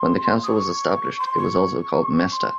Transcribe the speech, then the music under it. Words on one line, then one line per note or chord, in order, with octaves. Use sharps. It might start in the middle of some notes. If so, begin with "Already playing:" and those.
When the council was established, it was also called "mesta".
Already playing: C6
D#6
C#6
C6
C#6
C6